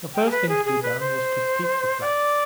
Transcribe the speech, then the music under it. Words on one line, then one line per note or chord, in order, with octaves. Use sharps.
The first thing to be done was to steep the flax.
G5
G#4
B4
G#4
G#4
B4
C5
D5